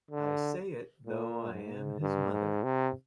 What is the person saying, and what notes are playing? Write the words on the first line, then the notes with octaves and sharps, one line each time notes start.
I say it, though I am his mother.
D3
A#2
G#2
G2
G#2
C3